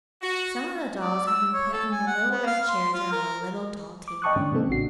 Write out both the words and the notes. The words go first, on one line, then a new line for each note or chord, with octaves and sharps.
Some of the dolls had been put in the little red chairs around the little doll table.
F#4
D5
E6
C#5
A4
G#5
F#5
B3
F5
C6
F4
A#4
D6
D#5 G5 A5 C#6 D#6 F#6
G#2 D3 E3 C#4 D4
C3 D#3 E3 A#3 C4 A4
A1 C#3 D4 F#4 C7